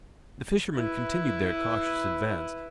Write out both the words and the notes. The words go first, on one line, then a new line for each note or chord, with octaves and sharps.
The fishermen continued their cautious advance.
E4 B4